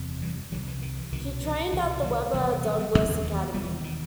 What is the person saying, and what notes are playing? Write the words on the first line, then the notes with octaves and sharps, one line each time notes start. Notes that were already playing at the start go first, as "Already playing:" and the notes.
She trained at the Webber Douglas Academy.
Already playing: F#1 E2 C3
E3 G3
C2 C3 D#3 F#3
E3
D#3
E3
C2 B2 D#3
E3
C2 B2 E3
D#3 F#3
E1 E2 C3 D#3 F#3
E3 G3
G3 B3
G3 B3
E1 D#2 F#3 A3
E3 G3
E1 D#2 G3 B3
D#3